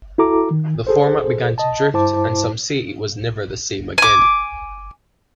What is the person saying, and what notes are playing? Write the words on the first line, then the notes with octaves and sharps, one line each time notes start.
The format began to drift and some say it was never the same again.
E4 F#4 A4 A#5 D6
D#3
G#4 A4 C5
D#5 A5
G2 E4 C5 A5 D6
G#5 D6